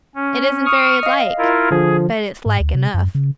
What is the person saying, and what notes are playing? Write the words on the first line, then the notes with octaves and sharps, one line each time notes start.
"It isn't very like, but it's like enough."
C#4
C#6 D#6 F6
D#5 F5
E4 F4 A#4
D3 F3 G#4
G#2
D2
C3
F#2
C#3